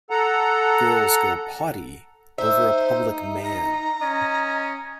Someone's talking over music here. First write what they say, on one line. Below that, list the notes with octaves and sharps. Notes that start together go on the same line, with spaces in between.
Girls go potty over a public man.
A4 F#5 A#5
D#4 C5 E5
A#5
C#4 D#5